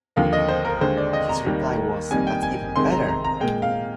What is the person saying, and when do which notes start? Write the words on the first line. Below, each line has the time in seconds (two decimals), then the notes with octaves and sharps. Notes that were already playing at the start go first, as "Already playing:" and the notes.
His reply was, That's even better!
0.16 D#2 D3 F3 A#3 F5
0.33 D#5
0.49 C5
0.65 A#4
0.81 D#2 D3 G#3 C5
0.97 D5
1.13 D#5
1.29 A#5
1.46 D#2 D#3 G3 A#3
2.10 F2 D#3 G3 A#3 G#5
2.27 G5
2.43 G#5
2.75 F2 C3 D#3 G#3 C6
2.92 A#5
3.08 A#5
3.25 A#5
3.40 A#2 G#3 G5
3.62 F5